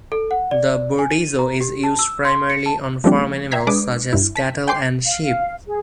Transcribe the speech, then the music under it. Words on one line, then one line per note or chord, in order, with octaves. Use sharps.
The burdizzo is used primarily on farm animals such as cattle and sheep.
A4
F#5
D5
G#5
D#7
A#5
G4
A5
E6
C6
C#7
A5
F3 G3 A3 C4 D4 G4
E5 G5 A#5 G#6 B6 C7
G#3 D4 B4 D6 D#6
G2 E4
A5 B6
G5 G#5 C6 D6 G6 C7
F5
G#4